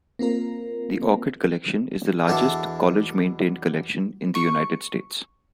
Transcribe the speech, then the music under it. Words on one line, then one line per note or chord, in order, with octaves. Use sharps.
The orchid collection is the largest college maintained collection in the United States.
A#3 C4 F4 A#4
E2 B2 D4 A4 E5
C#6